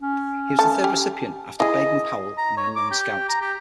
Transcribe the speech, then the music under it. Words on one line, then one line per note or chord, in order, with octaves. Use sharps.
He was the third recipient, after Baden-Powell and the Unknown Scout.
C#4
A3 A5
G4
E4 G#4 D#5
A#5
C#5
D6
G4
A#5
G4